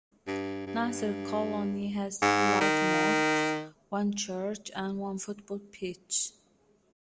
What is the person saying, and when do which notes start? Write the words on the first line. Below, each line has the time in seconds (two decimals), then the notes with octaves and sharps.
Nasir Colony has two large mosques, one church, and one football pitch.
0.27 G2
0.67 G2
2.22 G#2
2.61 D#3